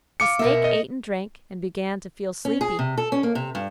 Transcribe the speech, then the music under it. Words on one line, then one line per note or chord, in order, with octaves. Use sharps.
The snake ate and drank, and began to feel sleepy.
F5 D6 C#7
B2 A#4 E5
D#5
C#4
G#4
C3
A4
C#4
A#3
C3
G2